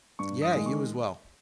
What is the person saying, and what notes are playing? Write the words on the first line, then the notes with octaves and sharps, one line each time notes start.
Yeah, you as well.
G2 C#6
D#6
D#3 G#3
C#6